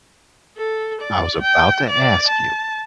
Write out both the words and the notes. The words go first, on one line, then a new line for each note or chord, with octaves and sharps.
I was about to ask you.
A4
D5
G5
D5
A5